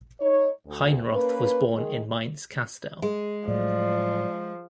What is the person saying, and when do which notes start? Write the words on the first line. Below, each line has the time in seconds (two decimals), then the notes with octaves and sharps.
Heinroth was born in Mainz-Kastel.
0.20 D#4 C#5
0.66 D2
1.12 A#3 C#4 B4
1.75 D#3 G#3
3.02 G#3
3.48 A2 F3 F#3 D5